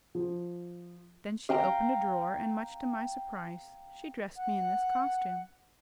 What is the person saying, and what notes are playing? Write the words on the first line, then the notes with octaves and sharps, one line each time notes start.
Then she opened a drawer, and much to my surprise she dressed me in this costume.
F3
F5 G5 A#5
F#5